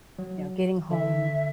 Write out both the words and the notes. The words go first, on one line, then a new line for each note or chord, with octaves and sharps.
you know, getting home,
F#3
D3 E5